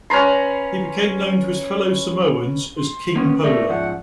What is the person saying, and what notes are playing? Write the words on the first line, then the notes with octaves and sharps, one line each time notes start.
He became known to his fellow Samoans as "King Pola".
C#4 B4 A#5 C6
C6
A#3 B3 C#4
A3 A4 A#4 D5 E5 C#6
G#2 F3 F#5